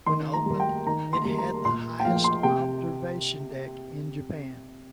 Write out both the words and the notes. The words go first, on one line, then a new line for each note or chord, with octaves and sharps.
When opened, it had the highest observation deck in Japan.
D#3 C6
A#5
G3 A#3
G5
D#3 A#5
C6
G3 A#3
A#5
A#2 C6
G5
F3 A#3 F5
C6
C3 G5